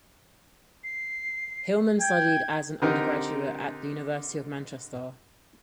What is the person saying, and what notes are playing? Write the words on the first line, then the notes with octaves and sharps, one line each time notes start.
Hillman studied as an undergraduate at the University of Manchester.
C7
G5 G#6
D3 C4 D#4 G4 A#4